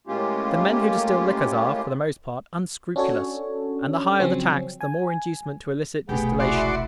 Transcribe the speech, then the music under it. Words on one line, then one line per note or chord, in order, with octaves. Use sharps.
The men who distil liquors are, for the most part, unscrupulous; and the higher the tax, the more inducement to illicit distillation.
A2 G#3 A#3 C#4 F4 G4
C#4 D4 F#4 A4 C#5
C#3 F3 F#3 C4 C#4
G#5
F1 B1 B3 G4 G#4
E4 F#4 D5 C6